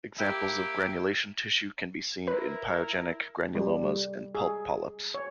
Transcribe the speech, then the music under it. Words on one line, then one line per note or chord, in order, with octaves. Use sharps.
Examples of granulation tissue can be seen in pyogenic granulomas and pulp polyps.
A#3 E4 G4
E4 A#4 B4
G3
G3
G#4
C#5